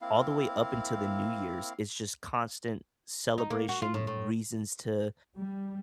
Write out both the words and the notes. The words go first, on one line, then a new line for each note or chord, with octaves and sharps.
all the way up until the New Year's, it's just constant celebration reasons to,
A#3 C4 E4 F5
D#4
A#3
F#4
F4
A2
A2
G3